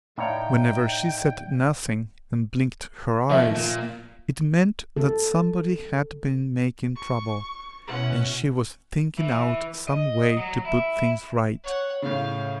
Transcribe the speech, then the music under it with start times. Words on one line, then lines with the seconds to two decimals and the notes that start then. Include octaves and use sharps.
Whenever she said nothing and blinked her eyes, it meant that somebody had been making trouble, and she was thinking out some way to put things right.
0.18 A2 D#4 C#5 D5 F5 G5
3.30 D#3 F3 A3 E5
3.55 A#2
4.96 A4
6.96 C#6
7.87 B2 C#4 E4 F#5
9.17 E3
9.87 D#5
10.37 F#3
10.65 E4
11.63 C#5 F#5
12.02 A2 C#3 F5